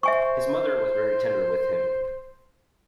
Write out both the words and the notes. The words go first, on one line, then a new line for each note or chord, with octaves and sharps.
His mother was very tender with him.
C5 E5 G#5 C#6